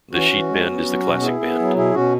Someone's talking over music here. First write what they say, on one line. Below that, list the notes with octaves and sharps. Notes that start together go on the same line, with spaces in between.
The sheet bend is the classic bend.
E3 C#4 F#4
E3
G#3
B3
F#3
B2
B3 E4 G#4
B3
F#3
B2 E4 G#4
B2 C#4 F#4